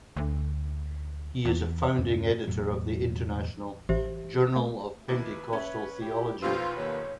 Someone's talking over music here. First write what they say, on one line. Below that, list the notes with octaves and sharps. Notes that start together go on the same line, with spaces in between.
He is a founding editor of the international "Journal of Pentecostal Theology".
D2
E2
E2 G2 C#3 C#4
E1 E2 A2 F#3
A1 G4 C5 E5
A3
D#2 E4 B4
C#4 E5
E4 G4
B1 F3 F4 B4 C5 E6
D#2 C#5